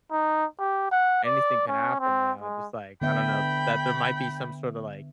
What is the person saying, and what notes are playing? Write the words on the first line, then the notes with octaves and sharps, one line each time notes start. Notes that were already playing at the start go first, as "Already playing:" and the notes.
anything can happen now," just like, I don't know, that there might be some sorta, like
D#4
G4
F#5
D5
C#4
C4
G#3
D3 B3 E5 G5 B5